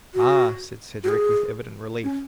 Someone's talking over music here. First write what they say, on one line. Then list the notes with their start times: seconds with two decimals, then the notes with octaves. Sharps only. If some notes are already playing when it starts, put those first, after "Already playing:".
"Ah!" said Cedric, with evident relief.
0.15 F#4
1.04 F#4
1.09 G#4
2.03 C#4